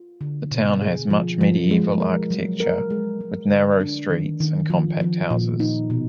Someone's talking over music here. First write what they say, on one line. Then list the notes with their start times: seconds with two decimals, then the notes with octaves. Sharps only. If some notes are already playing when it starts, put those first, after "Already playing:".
The town has much medieval architecture, with narrow streets and compact houses.
Already playing: F4
0.21 D3
0.51 B2
0.81 G#4
1.10 F3
1.41 F3
1.71 G#3
2.01 A#4
2.30 F#3
2.60 A#4
2.90 G#3
3.21 G#3
3.50 D3
3.81 D4
4.10 D#3
4.40 D#3
4.70 F3
5.01 F3
5.30 A#2
5.60 D#4
5.90 B2